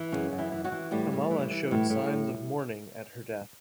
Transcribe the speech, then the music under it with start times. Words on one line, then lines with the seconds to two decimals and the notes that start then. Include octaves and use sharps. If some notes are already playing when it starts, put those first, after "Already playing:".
Kamala showed signs of mourning at her death.
Already playing: E3
0.12 F#2 C#3 C#4
0.32 F#2
0.38 E3 E4
0.52 E3
0.64 F#3 F#4
0.72 E3
0.91 A2 G3 G4
1.12 A2
1.31 E3
1.51 E3
1.71 A2
1.90 A2